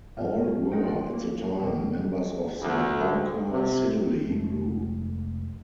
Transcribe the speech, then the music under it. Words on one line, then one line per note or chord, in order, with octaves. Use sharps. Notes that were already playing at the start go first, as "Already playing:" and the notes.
All were, at the time, members of the Hawker Siddeley Group.
G#2 F4
D4 F4 A#4 D#5 F#5 G5
F4
A#3
F2 B2 A#3
D2
C3
F1 G#3 A3